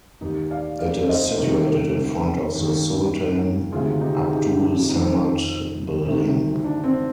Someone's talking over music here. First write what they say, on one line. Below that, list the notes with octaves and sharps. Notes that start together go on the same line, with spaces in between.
It is situated in front of the Sultan Abdul Samad Building.
D#2 D#3 D#4 G4
D5 F5
D5 F5
C5 D#5
C2 C3 D#3 G4 A#4
D#2 D#3
D2 C3 D#3 F4 G#4
D#4 G4
G#4
D#4 G4
D4 F4
F2 D#3 C4 D#4
D2 C3 D#3
D4
C4